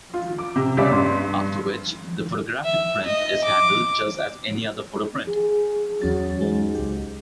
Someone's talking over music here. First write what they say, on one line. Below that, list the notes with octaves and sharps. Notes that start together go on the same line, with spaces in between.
After which, the photographic print is handled just as any other photo-print.
F4
D6
C3
C#2 G3 C#4 D5 E5 B6
G2 C6
E5
D#5
D6
G#4
E2 F#3 C#4 A6
G#2 G#3
C#2 G4